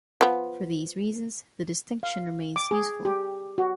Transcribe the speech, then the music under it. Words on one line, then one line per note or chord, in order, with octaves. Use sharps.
For these reasons, the distinction remains useful.
F3 B3
F5
D6
G#4
G4
F#4